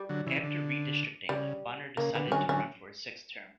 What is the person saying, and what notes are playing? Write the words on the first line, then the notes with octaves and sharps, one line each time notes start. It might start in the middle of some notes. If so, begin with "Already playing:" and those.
After redistricting, Bonner decided to run for a sixth term.
Already playing: G3
D3 F#3
C#3 E3
D3
C#3 G3
C#3 A#3
D3 B3
G3
D3 F#3 C#4
D3 F#3 C#4